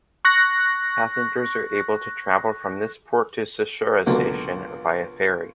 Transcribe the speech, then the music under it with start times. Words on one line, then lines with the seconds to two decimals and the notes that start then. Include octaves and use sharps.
Passengers are able to travel from this port to Tsuchiura Station via ferry.
0.25 C#6 F#6 A#6
4.06 C#2 B2 D3 F#3 A#3